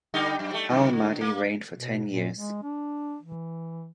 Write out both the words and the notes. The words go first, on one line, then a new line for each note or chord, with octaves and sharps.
Al-Mahdi reigned for ten years.
D3 G3 D#4
F#2
G3 A3
F#2 D#3
D3
A#3
B2
A#2
G#3
D4
E3